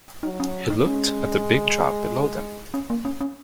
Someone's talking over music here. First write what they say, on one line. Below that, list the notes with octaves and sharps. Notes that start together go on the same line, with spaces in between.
He looked at the big drop below them.
F#3 D#4
C#4
D#4
G#3 C#4
C#4
A#3
C#4
C#4